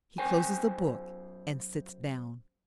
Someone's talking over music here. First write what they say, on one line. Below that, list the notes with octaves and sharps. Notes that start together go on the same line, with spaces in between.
He closes the Book and sits down.
F#2 C5 G5 G#5